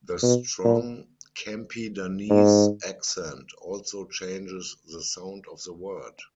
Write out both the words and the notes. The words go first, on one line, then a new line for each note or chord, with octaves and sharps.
The strong Campidanese accent also changes the sound of the word.
B2
A#2
G#2